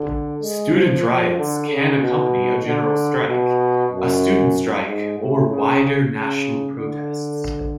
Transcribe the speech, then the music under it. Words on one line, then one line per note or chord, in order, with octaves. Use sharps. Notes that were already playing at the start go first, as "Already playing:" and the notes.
Student riots can accompany a general strike, a student strike, or wider national protests.
Already playing: D3
G#3
F3
F3
D3
C#3
B2
D3
B2
F#2
G#2
A2
C#3
C#3
D3